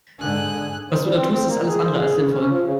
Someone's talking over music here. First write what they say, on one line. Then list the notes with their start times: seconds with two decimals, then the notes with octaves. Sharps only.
Was du da tust ist alles andere als sinnvoll.
0.18 G#2 D3 G#4 F#6
0.91 C5
1.03 G3
1.16 C4
1.31 C4
1.48 A#3
1.68 G#4
1.84 C5
1.99 G#4
2.15 C#3
2.30 C#4
2.49 F3
2.63 C#3